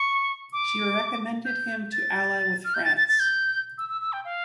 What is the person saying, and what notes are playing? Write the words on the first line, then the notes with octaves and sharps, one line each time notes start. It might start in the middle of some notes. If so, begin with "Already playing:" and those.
She recommended him to ally with France.
Already playing: C#6
D6
G6
A6
F6
G6
A6
A6
A6
G6
E6
E6
E6
G5
F5